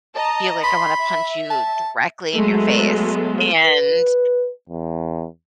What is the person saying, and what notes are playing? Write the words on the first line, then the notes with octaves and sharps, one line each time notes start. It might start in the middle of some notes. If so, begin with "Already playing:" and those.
feel like I wanna punch you directly in your face." And
D#5 A5 A#5
B5 C6
E5
A5
F#3 G#3 A3 B3
B4
E2